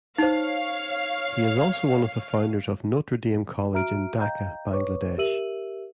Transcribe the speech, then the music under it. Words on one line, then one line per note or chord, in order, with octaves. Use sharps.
He is also one of the founders of Notre Dame College in Dhaka, Bangladesh.
D#4 C5 C#5 F5
F#4 E5 A#5 F6 D7
D#5 F5 G5 A#5 G6
B4 C#5 C#6 D6
G4 A#4 E5 E6 D#7 F#7